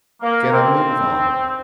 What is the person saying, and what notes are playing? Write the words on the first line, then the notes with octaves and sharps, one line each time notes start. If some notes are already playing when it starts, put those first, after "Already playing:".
"Get a move on!"...
A#3
C4